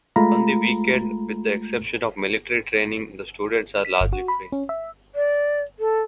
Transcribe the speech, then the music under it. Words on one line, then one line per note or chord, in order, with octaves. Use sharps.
On the weekend, with the exception of military training, the students are largely free.
G#3 A3 F4 A#5 B5
B6
G1
F#4
B5
C#4
E5
D5
A4